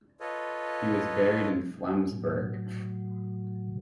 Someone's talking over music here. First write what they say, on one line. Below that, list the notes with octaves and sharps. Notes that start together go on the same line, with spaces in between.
He was buried in Flensburg.
F4 A4 B4 C#5 D#5
A2 F#3